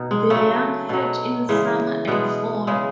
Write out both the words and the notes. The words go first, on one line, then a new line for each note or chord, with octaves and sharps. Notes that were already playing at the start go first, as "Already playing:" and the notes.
The young hatch in summer and fall.
Already playing: B2 D#4
G#3
C#3 F#3 A3
B2 F#3
C#3 E3 G#3
B2 G#3 B3
C#3 G#3